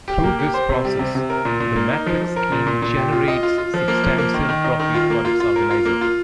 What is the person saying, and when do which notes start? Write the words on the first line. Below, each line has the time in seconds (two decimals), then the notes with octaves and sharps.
Through this process, the matrix scheme generates substantial profit for its organiser.
0.08 G4
0.23 A#3
0.39 G4
0.54 C5
0.69 C3
0.85 G3
0.99 C3
1.15 C3
1.30 A#4
1.45 A#2
1.60 A#2
1.76 A#3
1.91 D#4
2.06 F3
2.21 F3
2.36 A#4
2.52 A#2
2.67 A#2
2.82 A#2
2.97 G4
3.12 F4
3.28 D#5
3.43 F4
3.58 F4
3.74 F3
3.88 A#3
4.04 F3
4.18 A#3
4.34 D#3
4.49 D#3
4.64 D#4
4.80 D#3
4.94 F4
5.10 A#3
5.25 F4
5.40 F4
5.56 A#4
5.71 F4
5.85 A#3
6.01 F4